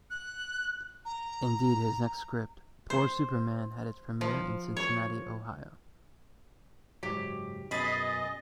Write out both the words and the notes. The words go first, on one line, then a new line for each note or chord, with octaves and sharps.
Indeed, his next script, "Poor Super Man", had its premiere in Cincinnati, Ohio.
F#6
A#5
C5
F3
C#5
F#1 G#2 F#3 G4
F#2 B2 G#4 D#5 B5 A6